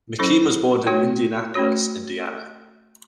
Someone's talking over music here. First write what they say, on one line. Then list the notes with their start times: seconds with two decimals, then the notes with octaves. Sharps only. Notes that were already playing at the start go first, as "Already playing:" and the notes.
McKean was born in Indianapolis, Indiana.
0.19 F#3 C#4 E4 A4 C5
0.87 A3 D#4 F#4 C#5
1.54 A3 C#4 F#4 C#5